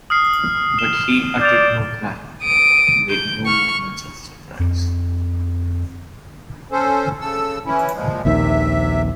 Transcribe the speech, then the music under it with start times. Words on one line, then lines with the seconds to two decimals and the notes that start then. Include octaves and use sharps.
But he uttered no cry; he made no movement of surprise.
0.10 D#6 F6 C7
0.78 D#6 E7 G7
1.41 D5 G6 F7
2.43 D#6 D7
3.09 G6
3.46 C#6 F6
4.60 F2
6.72 C#4 A4 C5
7.21 C#3 A4 E6
7.66 E3 C#4 E4
7.95 A#2 F3 G#3
8.25 A#1 D#2 C3 D#3 E5